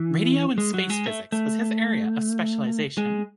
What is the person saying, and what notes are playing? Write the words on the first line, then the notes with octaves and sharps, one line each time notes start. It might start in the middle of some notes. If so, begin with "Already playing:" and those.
Radio and Space Physics was his area of specialization.
Already playing: E3
G#3
F#3
G#3
A3
A3
G#3